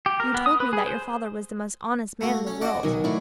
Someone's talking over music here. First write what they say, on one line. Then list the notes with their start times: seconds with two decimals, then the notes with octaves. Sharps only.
You told me that your father was the most honest man in the world.
0.06 G4
0.20 A#4
0.34 B3
0.46 D#6
0.60 B4
0.73 G#4
0.87 C5
2.21 A3 A#3 F#4
2.47 C#4
2.61 F#4 D5 D#5 F#5 A5
2.83 B1 D#3 F#3 G#5
3.04 A2 E4 D5 C#6